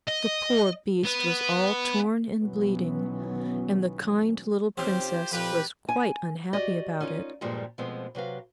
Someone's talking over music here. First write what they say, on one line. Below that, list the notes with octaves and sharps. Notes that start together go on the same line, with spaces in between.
The poor beast was all torn and bleeding, and the kind little Princess was quite unhappy about it.
D#5
B3
B1 D#3 E3 F#3 B3 C#4
D#2 C4 C#4 F4 G4 C5
F2 A#2 G4 B4
G#5
F#4 G4 D5 D#5
C#4 D#4 F4 A#4
G2 A#2 F3 G3 G#3
B2 F3 G#3 A3 B3 C4
C3 F#3 B4 F5